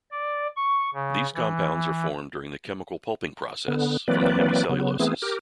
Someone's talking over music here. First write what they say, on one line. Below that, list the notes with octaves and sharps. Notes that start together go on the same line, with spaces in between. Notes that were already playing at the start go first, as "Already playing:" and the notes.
These compounds are formed during the chemical pulping process, from the hemicelluloses.
D5
C#6
C#3
E3
D3 B3
E3 F#3 A#3 C4 B4 D5
C#3 F#3 B3
E3 A3 B3 C4 G#4
G4 A#4